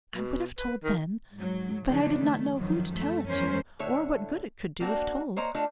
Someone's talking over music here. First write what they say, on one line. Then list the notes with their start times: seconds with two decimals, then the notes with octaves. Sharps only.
I would have told then, but I did not know who to tell it to, or what good it could do if told.
0.15 B2
0.58 B4
0.83 D#3
1.34 G#2 F#3
1.86 C#3 E3 F3 G#3 D4 D#4
2.18 D#3 A3
2.56 F#2 D#3 F3 F#3
2.94 A3
3.27 E2 E3 G#3 C#4 A#4 C5
3.79 A2 D3 A3 C#5 E5
4.80 A#3 C4 D4 F#4
5.36 A#3 C5 C#5 D#5 A#5
5.54 A3 D4 F4 D#5